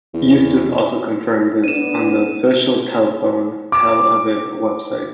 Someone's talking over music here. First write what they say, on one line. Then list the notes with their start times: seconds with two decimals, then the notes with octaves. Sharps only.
Eustis also confirmed this on the official Telefon Tel Aviv website.
0.14 E2
1.64 B3 D4 D#7 E7
3.72 D6